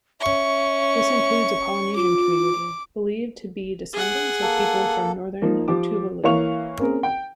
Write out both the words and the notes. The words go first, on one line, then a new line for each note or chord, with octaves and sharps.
This includes a Polynesian community, believed to be descendants of people from northern Tuvalu.
C#4 E5 C#6
F4 D6
G#4 F#5
A#3 A4
F3 A#3 D#4
F3 G4 D6
E3 A#3 C#5 F5 C#6 F7
A#3 C4 C#4 G#4 A#4
G5